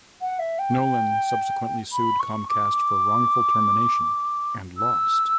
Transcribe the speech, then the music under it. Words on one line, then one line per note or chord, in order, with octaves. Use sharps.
Nolan subsequently sued Comcast for wrongful termination, and lost.
F#5
E5
G5
B5
C#6
D6
E6